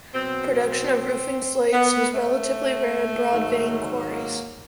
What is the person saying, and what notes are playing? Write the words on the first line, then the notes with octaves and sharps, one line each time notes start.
Production of roofing slates was relatively rare in Broad Vein quarries.
B2 F#3 C4
C4
B3
A3
G#2 D#3 F#3
A#3